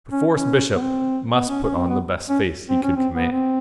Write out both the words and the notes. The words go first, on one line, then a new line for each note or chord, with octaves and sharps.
Perforce Bishop must put on the best face he could command.
C#4
C#4
B3
C4
B3
C#4
C#4
C4
B3
C#4
C4
C#4
C4
B3
C4